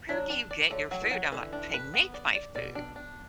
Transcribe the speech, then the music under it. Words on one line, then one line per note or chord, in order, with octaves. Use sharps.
"Where do you get your food?" I'm like, "I make my food,
D3 F#3 D4
D4
D5
D3 F#3 A3
F#3
B2 E3
F#3
D3 E3
D4
B4
B3
D5
D5
B2 D5
D4
D4